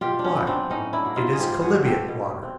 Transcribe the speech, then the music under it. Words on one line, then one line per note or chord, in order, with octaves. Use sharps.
"Why, it is chalybeate water!"
B2 F4 G4
D4
C#4
F#3 B3
C4 D4
A2 C#4 D#4
D4 E4
F#3 A#3
D#4 F4
G#4
G#2 F4 G4
F#4 G#4
F3 G#3
G4 A4
B2
C4